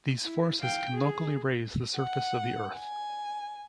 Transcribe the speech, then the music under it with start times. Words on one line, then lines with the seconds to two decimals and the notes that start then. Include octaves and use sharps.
These forces can locally raise the surface of the earth.
0.22 E4
0.62 F5 G5
0.93 G#4
1.97 F#5
2.78 G#5